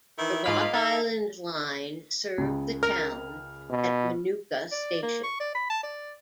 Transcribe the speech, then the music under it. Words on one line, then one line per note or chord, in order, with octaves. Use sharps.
The Rock Island Line served the town at Minooka Station.
D#3 E3 E4
G#2 A#3 F4 D#5 F5 B5
D#4 A4 E5
C#2 C#3
A#4 F6
B2
D5
A#3
C#6
D5
B5
A5
D5